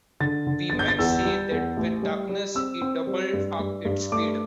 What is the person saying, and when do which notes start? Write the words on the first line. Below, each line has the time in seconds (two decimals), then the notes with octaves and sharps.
We might say that with darkness, he doubled up its speed.
0.20 D3 A6
0.47 D3
0.70 G1 A6
0.79 G6
0.88 A6
0.99 E2 E6
1.25 G3
1.51 E2
1.77 A1
2.03 G3
2.29 G3
2.55 C4 E6
2.82 C4
3.07 G3
3.33 G2
3.59 G2
3.85 G2
4.12 A3 D6